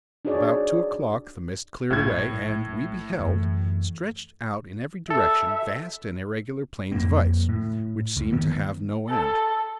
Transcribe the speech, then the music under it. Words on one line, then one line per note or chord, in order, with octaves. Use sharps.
About two o'clock the mist cleared away, and we beheld, stretched out in every direction, vast and irregular plains of ice, which seemed to have no end.
D4 D#4 F#4 G#4 C#5 D5
A#1 A2 G#6
F#2 E3 A3
A4 E5
F2 A#3 C4
A2
C#2
D#3 F3 A#3 B3
A4